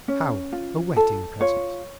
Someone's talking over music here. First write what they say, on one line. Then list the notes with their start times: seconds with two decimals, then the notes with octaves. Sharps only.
"How a wedding present?"
0.08 C#4
0.53 F4
0.96 A4
1.41 F4 C#5